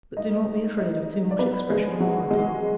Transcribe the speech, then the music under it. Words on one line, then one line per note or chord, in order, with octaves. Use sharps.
But do not be afraid of too much expression on my part.'
D#4 D#5
D#4 D#5
D5
B3 B4
G#3 G#4
F#3 F#4
G#3 G#4